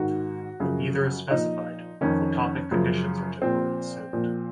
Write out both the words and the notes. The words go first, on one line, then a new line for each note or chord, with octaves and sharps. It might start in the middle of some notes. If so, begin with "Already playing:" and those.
When neither is specified, photopic conditions are generally assumed.
Already playing: G#2 D#3 F#4
F#2 C#3 F3
A#2 F3 D#4
F2 D#3 C#4
F#2 C#3 F3
A#2 F3 C4
A#2 F3